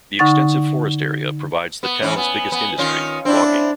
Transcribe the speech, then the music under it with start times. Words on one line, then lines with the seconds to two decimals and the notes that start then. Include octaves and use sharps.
The extensive forest area provides the town's biggest industry, logging.
0.19 D3 D#4 F#5 C#6 A6
1.83 B3
2.02 E3 C#4
2.16 B3 G#5
2.52 B3
2.78 D#3 C#4 F4
3.25 C4 D4 E4